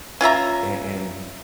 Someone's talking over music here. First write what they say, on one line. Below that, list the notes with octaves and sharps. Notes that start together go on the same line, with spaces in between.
and and,
C#4 F4 E5 A#5